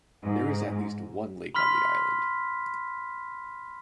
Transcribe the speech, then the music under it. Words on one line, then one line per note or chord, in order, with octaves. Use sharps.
There is at least one lake on the island.
G#2
B5 C6 F6 B6